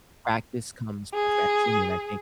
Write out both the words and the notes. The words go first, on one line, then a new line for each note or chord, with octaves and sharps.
practice comes perfection, and I think,
G#4